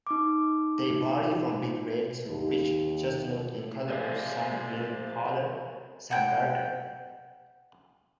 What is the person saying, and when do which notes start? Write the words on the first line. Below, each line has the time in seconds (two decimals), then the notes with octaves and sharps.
They vary from brick-red to rich chestnut in colour, some being paler, some darker.
0.07 D#4 D6
2.26 D#2
3.90 G#4 C5 D5 E5 F5 G#5
6.11 F#5 G5